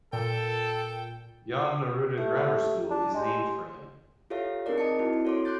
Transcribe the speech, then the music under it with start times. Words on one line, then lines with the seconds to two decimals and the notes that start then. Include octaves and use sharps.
Jan Neruda Grammar School is named for him.
0.13 A#2 A4 G5
2.18 A3 G4
2.90 D4
3.14 G#3 G4 C6
4.30 F4 G4 A4 C#5 E5 F5
4.66 C4 D#4 G#4 A#4 D5
4.78 D#5 A5 C#7
4.99 C4 E4 F#4
5.25 F#4 A4 C#5 C6 D6
5.45 C6 D6 F#6 G6 A6